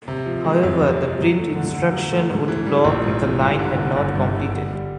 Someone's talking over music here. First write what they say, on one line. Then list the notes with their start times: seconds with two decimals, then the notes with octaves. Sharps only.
However, the print instruction would block if the line had not completed.
0.08 C3
0.26 F3
0.44 G#3
0.63 F2
0.82 C3
1.00 F3
1.18 F#3
1.38 A3
1.55 D3
1.73 D3
1.93 F#3
2.12 A3
2.30 G#2
2.48 E3
2.66 G3
2.85 A#1
3.04 G#2
3.23 E3
3.41 G2
3.59 D3
3.78 G1
3.96 G1
4.15 G2
4.34 D3
4.52 D3
4.70 G3